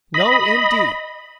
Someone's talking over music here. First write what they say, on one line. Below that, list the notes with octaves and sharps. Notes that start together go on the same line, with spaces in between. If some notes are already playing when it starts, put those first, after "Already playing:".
"No, indeed."
D#5 B5